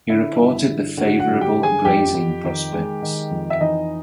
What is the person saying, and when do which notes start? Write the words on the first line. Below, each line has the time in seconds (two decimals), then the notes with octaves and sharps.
He reported the favourable grazing prospects.
0.10 D3 E4 E5
0.39 G2
0.69 D3
0.97 D3 F#4 F#5
1.19 F#4 F#5
1.27 G2
1.41 G4 G5
1.56 D3
1.63 G#4 G#5
1.85 F2 G4 G5
2.14 F2
2.44 D#3
2.73 G#3
3.02 D#3
3.31 F2
3.50 E5
3.61 E3 D#4 D#5